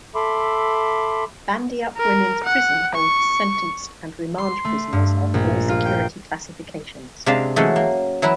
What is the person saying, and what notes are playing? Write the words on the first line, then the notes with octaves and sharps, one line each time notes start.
Bandyup Women's Prison holds sentenced and remand prisoners of all security classifications.
A4 E5 B5 C6 D6
A#4
F#5
C#6
C6
A3
G2
A#1
F4
G5
C3 G#3 C4 D4 F5 A5
E3 F#3 G#3 A3 C#4
A#3
E3 F#3 E4 A#4 B4